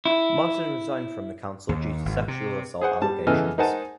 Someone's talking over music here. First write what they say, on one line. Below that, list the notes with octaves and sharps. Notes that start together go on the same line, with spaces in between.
Martin resigned from the council due to sexual assault allegations.
E4
D#2
G#1
C3
G#4 C5 F#5
G3 A5
C#3 E3 B3 A4 D#5 F6
D#4 A#4 C5 F#5 G#5 A5